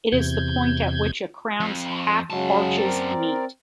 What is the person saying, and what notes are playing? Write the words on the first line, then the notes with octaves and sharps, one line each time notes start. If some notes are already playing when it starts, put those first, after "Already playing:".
It is the point at which a crown's half arches meet.
E2 C3 G6 G#6
F2
F#2 C#3 F#3 G#3 A5
C4 A#4 D5